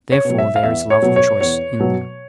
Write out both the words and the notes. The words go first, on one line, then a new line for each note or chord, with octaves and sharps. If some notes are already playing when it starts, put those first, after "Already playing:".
Therefore there is love of choice in them.
C#5
B2 F#3
E5
F5
E2 E5
C#5
B2 F#3
C#5
E2 C#5
B2 F#3